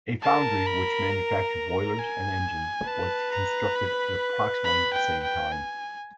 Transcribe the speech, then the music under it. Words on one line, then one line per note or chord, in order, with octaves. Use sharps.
A foundry which manufactured boilers and engines was constructed at approximately the same time.
A#4 A5
B5
A#5
G#5
B4 A5
A#5
B5
B5
G5
G5
G#5